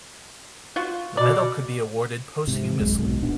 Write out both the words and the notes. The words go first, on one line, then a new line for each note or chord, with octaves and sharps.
The medal could be awarded posthumously.
F4 F#4
B2 D5
G#2 C3
D#1 A#1 F#2 G#3
B1 G#2 B2
D1 A#2 B3 D4